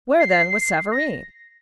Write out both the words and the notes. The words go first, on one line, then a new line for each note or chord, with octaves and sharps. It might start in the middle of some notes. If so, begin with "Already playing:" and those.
Where, then, was Savareen?
C7
A#6